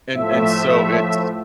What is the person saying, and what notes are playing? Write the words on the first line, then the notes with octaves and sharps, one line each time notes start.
and and so it's
A2 F3 A3 E5